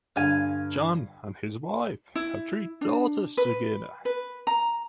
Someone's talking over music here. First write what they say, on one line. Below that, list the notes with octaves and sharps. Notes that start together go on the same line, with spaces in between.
Chun and his wife have three daughters together.
G2 D3 F5 G#5
E4
D4
B4
B4
A#5